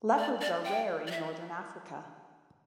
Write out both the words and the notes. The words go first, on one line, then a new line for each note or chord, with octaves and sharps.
Leopards are rare in northern Africa.
D5
D5
G5
D5
E5